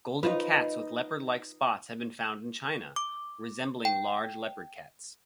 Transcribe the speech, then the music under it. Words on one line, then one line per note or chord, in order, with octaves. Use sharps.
Golden cats with leopard-like spots have been found in China, resembling large leopard cats.
D#4 F4 B4
D6
G5